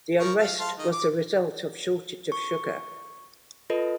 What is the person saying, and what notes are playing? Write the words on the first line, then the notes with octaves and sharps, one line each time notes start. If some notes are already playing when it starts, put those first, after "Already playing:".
The unrest was the result of shortage of sugar.
F3 A#4 C#6
F5
F5 A5 C6
D#3 D#5
D6
C#6
F4 A4 B4 D#5